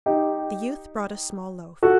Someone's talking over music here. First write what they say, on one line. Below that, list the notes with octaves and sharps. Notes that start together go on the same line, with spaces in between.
The youth brought a small loaf.
D#4 G4
F#4 A4